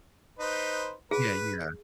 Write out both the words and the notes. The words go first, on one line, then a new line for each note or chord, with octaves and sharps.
Yeah, yeah.
D#4 B4 C5
G#4 B4